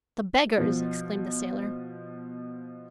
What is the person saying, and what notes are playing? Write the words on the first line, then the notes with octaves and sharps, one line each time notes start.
"The beggars," exclaimed the sailor.
B2 F3